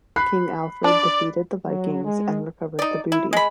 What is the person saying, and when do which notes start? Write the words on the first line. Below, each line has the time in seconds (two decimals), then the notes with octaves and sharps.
King Alfred defeated the Vikings and recovered the booty.
0.16 B5 F#6 C7
0.84 D4 D5
1.66 F#3
2.04 G#3
2.79 D#4 D5
3.12 E4
3.33 G#3 B5